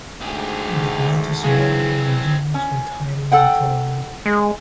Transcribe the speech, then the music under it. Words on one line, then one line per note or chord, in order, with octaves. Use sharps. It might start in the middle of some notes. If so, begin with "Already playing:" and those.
The plot is mildly ingenious but highly improbable.
D2 G#2 G4 G#4
E3 F#3 G#3 C4 G#4 F5
C#4
A4 F#5 G5
G#3